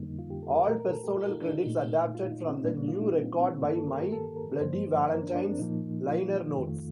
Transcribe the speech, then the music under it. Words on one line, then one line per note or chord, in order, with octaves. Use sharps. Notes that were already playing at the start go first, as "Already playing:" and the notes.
All personnel credits adapted from "The New Record by My Bloody Valentine"s liner notes.
Already playing: F2 D3 G3 A#3 D#4
F4
G4
A4
A#4
A#2 A3 A#4
A#4
A4
G4
F4
D#4
D4
D#4
A#2 A3
F4
D#4
C4
A#2 G3 A#3 D4
F4
D#4
C4
C4
G2 D#3 A#3 A4
A4
A#4
G4
A4
A#4
G2 F3 A#3 C5
A#4
D4
D4
C4
A#2 F3 A#3 D#4
F4
F2 D#3 A3